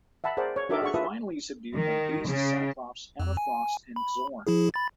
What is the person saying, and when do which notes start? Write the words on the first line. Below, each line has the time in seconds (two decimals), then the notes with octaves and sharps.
They are finally subdued by Beast, Cyclops, Emma Frost and Xorn.
0.24 E5 F#5 A5 B5
0.37 G#4 A#4 C5 D5 F#5 A5
0.56 C#5
0.69 D4 F#4 A4 A#4 E5 D6
0.82 G#4 F#5 C#6
0.94 E4 F4 B4 E5 A5 D#6
1.75 D#3
2.28 C#3
3.20 F2
3.37 G#5
3.96 B5
4.47 F3 E4 G#4
4.74 B5 A6